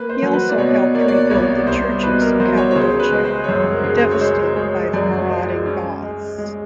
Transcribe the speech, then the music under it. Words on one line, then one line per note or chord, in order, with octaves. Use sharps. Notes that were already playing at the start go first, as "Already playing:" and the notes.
He also helped rebuild the churches of Cappadocia, devastated by the marauding Goths.
Already playing: A#3 B4
C5
F#3
B4
D5
B2 C#5
A#3 D5
C#5
D5
C2 C#5
C2 C5
B2 B4
A#4
F#3 C5
C#5
C#5
C#3 C5
B4
G#3
C5
C#5
F#2 C5
A#4
C#3
C5
C#5
G#3 C5
G#3 C#5
F#2 D5
G#3 C5
C#4
G#3
G#3